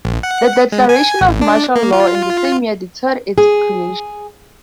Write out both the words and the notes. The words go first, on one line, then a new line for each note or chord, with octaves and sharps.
The declaration of martial law in the same year deterred its creation.
A#1
F#5
G#3
G#5
A1
D4
A#3
F4
G#4